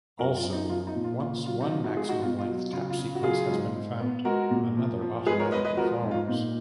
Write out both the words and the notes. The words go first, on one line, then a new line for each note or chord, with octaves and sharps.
Also, once one maximum-length tap sequence has been found, another automatically follows.
F#2 F#4 A#4
F4
F#2
D#4
F3 F4
D#4
A#2
F4
C#3 F4
F#3 F4
D#4
F3 F4
D#4 F#4
G#3 F4 G#4
D#4 F#4
B2 F4
F4
F#3
C#3 F4
F4
C#3
F#4
F#3 F4 G#4
G#2
G#2
B3
G#3 F#4 A#4
A#2
F3
F3
G#3 G#4 B4
A#4 C#5
G#3 B4 D#5
B4 D#5
F3 F#4 A#4
G#2
F4
A#2 D#4